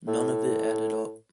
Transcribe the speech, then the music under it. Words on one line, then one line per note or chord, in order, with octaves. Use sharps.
None of it added up.
A2